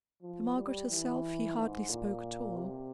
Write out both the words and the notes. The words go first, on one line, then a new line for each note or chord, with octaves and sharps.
To Margaret herself he hardly spoke at all.
F3
G3
E3
G#2
A#2
C3